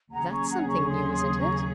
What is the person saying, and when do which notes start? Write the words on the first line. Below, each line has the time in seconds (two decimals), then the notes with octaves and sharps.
'That's something new, isn't it?'
0.12 D#2 C#3 F#3 C#4 G#4 F#5 A#5
0.30 A#5 C#6
0.50 F#5 A#5
0.69 A#5 C#6
0.88 C6 D#6
1.13 C6 D#6
1.39 A#5 C#6